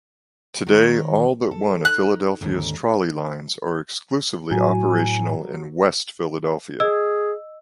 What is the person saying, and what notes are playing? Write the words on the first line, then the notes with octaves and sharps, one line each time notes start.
Today, all but one of Philadelphia's trolley lines are exclusively operational in West Philadelphia.
D#3 G#3 D#4
A4
D#4 F#6
D#2 G#2 D3
A2 F#3 G#5
G#4 D#5 E6